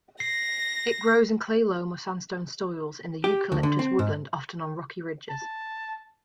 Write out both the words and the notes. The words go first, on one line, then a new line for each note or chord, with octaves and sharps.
It grows in clay-loam or sandstone soils in "Eucalyptus" woodland, often on rocky ridges.
A#6 C7
G4
D2
D3
C4
G#2
A5